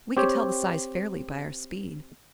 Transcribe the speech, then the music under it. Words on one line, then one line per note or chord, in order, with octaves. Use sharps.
We could tell the size fairly by our speed.
C4 G4 C#5